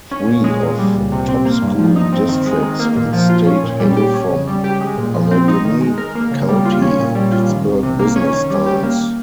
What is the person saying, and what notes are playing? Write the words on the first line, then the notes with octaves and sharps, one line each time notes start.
Three of top school districts in state hail from Allegheny County, "Pittsburgh Business Times".
C#4
A#2
G#3
A#2
G3
C#2
C3
C4
A#3
G2
F3
D#4
C4
D#3
G#3
D#3
A#3
A#2
F3
F4
C#4
A#2
G3
G4
C#4
C#3
G3
G4
G#3
A#2
F3
C4
D#4
D#3
G#3
A#4
A#3
C#3
G3
F4
C#4
A#2
G3
F4
D#3
C2
C3
A#3
C#4
D#3
G3
G4
A#3